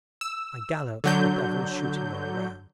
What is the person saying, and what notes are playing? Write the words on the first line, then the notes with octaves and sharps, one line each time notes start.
I gallop, the devils shooting all around.
E6
D3 F#3 G6